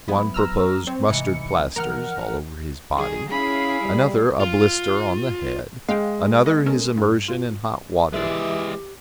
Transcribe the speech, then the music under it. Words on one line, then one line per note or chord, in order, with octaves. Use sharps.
One proposed mustard plasters all over his body; another a blister on the head; another his immersion in hot water.
F#3 B3 E4
A#5 E6 F6
C4 C#5
G#2 C3 E3 C#7
C4
D#2 E3 F3 A#4 F#5 F6
D#3 G3 G#4
C#4 E4 G#4 F5 B5
G3
F4
G#3 F5 G5
B3 D#5
C#4 A4 A#4
G2
F4
E3 G#3 G4 D5 E5